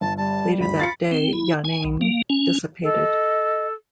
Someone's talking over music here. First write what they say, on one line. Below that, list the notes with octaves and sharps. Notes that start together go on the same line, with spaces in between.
Later that day, Yaning dissipated.
G1 A5
G3 A5
G1 D2 B5
F4 A6 C7 C#7
C4
E4
G#5
B1
A#3
C#4
A4 D#5